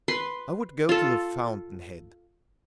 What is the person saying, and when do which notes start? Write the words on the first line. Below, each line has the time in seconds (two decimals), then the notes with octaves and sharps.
I would go to the fountain-head.
0.08 B4 C6
0.89 F4 A4